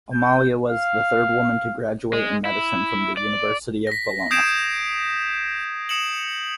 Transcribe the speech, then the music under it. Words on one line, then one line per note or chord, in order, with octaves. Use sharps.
Amalia was the third woman to graduate in medicine from the University of Bologna.
G6
F5
G#3
E4
D5
A#6 B6
D#6 G6 G#6 C7 D7 E7
D#6 C#7 E7 F#7